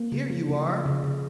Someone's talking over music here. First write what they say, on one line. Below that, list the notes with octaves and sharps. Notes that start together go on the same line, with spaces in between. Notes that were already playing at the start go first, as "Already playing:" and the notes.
"Here you are!"
Already playing: A#3
C#3
F3
C#3
F3
C#3
C#3